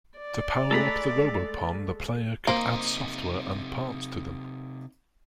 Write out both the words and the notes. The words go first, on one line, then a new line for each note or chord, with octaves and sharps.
To power up the Robopon, the player could add software and parts to them.
D5
G#3 A3 G#4 A4 A#5 B5
C3 A#3 D#4 C5